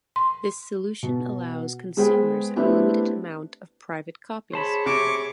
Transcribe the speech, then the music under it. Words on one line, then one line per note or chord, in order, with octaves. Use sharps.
This solution allows consumers a limited amount of private copies.
C6
B2
G#3 B3 G#4 B4 C5 G5
A3 B3 C4 D4 E4 G4
G#4 C5 C#5 A5 B5
C3 C#6 D6